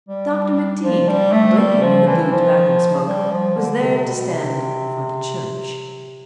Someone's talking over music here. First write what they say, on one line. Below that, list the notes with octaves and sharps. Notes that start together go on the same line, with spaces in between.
Dr. McTeague, blinking in the blue tobacco smoke, was there to stand for the church.
G3
F3
G3
A3
G3
F3
E3
F3
G3
F3
D3
C3
B2
C3